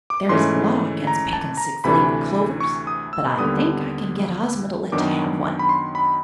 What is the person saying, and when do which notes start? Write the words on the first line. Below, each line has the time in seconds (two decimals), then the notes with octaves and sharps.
"There is a Law against picking six-leaved clovers, but I think I can get Ozma to let you have one."
0.10 D6
0.29 G#2 E3 A3 C#4 C6
1.07 A#5
1.33 A5
1.57 A#5
1.84 D2 C3 E3 A3 D4 B5
2.60 C#6
2.87 D#6
3.13 E6
3.37 D#2 D3 G3 B3 D#6
4.92 F#2 D#3 F#3 B3 D4 D6
5.59 B5
5.69 C6
5.95 B5